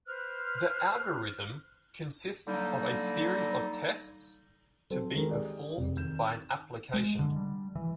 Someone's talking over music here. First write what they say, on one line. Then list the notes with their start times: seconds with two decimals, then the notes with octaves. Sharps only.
The algorithm consists of a series of tests to be performed by an application.
0.07 B4 C5 F6 F#6
2.47 D3 F#3 G3 A#3 D#4
4.90 F#3 C4 A4 C5
5.13 D#3 G#3 A4 A#4
5.27 G4 G#4 D5
5.77 F1
5.96 D#3 G6 E7
6.94 G#3
7.19 D3
7.36 G3
7.75 E3